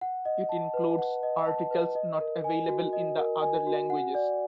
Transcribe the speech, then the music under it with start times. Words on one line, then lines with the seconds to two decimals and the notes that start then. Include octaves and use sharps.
It includes articles not available in the other languages.
0.01 F#5
0.25 D#5
0.49 A5
0.74 B4
0.98 F#5
1.23 D#5
1.47 A5
1.71 B4
1.95 D#5
2.20 A#4
2.44 G#5
2.69 F#4
2.93 D#5
3.17 A#4
3.42 G#5
3.67 F#4
3.90 F#5
4.15 D5